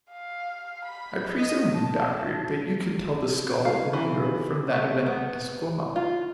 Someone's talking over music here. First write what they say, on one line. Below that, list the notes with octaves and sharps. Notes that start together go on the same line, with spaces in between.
"I presume, Doctor, that you could tell the skull of a negro from that of an Esquimau?"
F5
B5
D#5
A5
F5
E3
A3
B3
F4